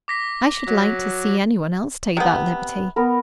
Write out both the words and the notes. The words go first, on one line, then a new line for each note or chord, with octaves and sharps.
I should like to see anyone else take that liberty.
D6 A#6 B6
F#3
C3 B3
B3 A#4